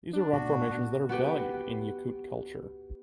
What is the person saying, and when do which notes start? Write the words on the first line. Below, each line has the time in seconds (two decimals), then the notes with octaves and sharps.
These are rock formations that are valued in Yakut culture.
0.13 D4
0.33 A#2 A3 B3 F#4
1.09 B3 F#4 G4 B4